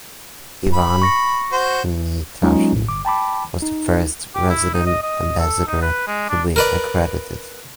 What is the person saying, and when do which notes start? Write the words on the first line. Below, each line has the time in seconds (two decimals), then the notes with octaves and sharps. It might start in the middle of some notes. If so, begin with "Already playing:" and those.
Ivan Hnatyshyn was the first resident ambassador to be accredited.
0.73 B5
1.02 C#6 A#6 C#7
1.52 F#4 C5
2.42 F#3 G#3 A#3 C#4 D#4 F4
2.73 A#1 A2
2.88 G1 D6
3.05 G5 A5 B5 D6
3.62 D#4
4.35 G4
4.50 E4
4.74 D#4
4.86 D#5
5.02 D#5
5.40 A4
5.67 D#4
5.82 B4
6.07 G#3
6.29 D4
6.56 A#4 B4 D5